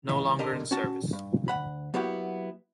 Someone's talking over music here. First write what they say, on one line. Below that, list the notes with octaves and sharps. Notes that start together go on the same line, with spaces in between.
No longer in service.
C#2 E3
D3 G4 A#4 D#5 A5 C6
C#4 F#4 A5
G2
D2 F#5 B5
F#3 A#3 B3 E4 F#4 G4